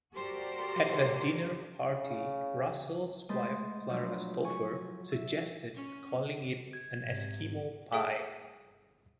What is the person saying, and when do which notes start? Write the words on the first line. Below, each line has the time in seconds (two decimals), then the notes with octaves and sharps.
At a dinner party, Russell's wife Clara Stover suggested calling it an Eskimo Pie.
0.13 F#4 G4 A4 A#4 C5 D5
1.90 C#3
3.29 G#3 A3 B4 C5 D#5 A5
3.89 F3 F#3 D4 E4 F4
4.44 G#5 C#6
5.11 E5
5.75 C#4
6.73 G#6
7.03 G#2 C3
7.92 G#4 A4 E5 F#5 D#6 D7